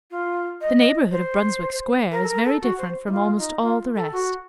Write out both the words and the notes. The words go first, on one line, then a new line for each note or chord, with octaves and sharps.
The neighborhood of Brunswick Square is very different from almost all the rest.
F4
D#5
D#5
C5
A#4
A4
A#4
A4
F#4
C5
D#4
F4
D#4
F4
A4
F#4